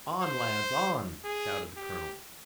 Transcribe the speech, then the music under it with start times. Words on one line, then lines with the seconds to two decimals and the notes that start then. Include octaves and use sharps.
"On, lads, on!" shouted the colonel.
0.22 C5
1.24 G#4
1.77 G4